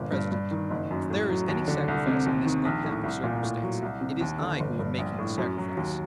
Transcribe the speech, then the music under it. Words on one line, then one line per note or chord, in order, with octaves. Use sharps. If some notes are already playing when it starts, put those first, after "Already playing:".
President, if there is any sacrifice in this unhappy circumstance, it is I who am making the sacrifice.
Already playing: G1 A#2
G2
G2
D#3
F#1
F#2
A2
F#3
D#2
D3
C2
C3
D#2
D#3
A#1
A2
C2
A#2
A2
F#3
C2
C3
D#2
D3
G1
G2
A#1
A2
F#2
F#3
D#2